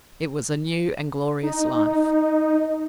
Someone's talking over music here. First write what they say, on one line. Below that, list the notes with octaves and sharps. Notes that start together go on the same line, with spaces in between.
It was a new and glorious life.
D#4